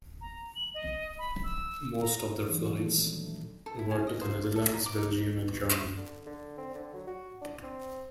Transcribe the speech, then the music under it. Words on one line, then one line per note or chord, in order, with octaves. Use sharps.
Most of their flights were to the Netherlands, Belgium and Germany.
A#5
F#7
D#5
B5
E6
A#5
E3 F#3 G#3 D4 D#4
A#2 D#3 E3 F#3 A4
D3 F3 F#3 A3 C4 D4
A4
E4
G#5
D#5
C5
D5
A4
A#5
D6
D#4
B2
D3
D3
C4
D3
F#3
F#4
D4
C4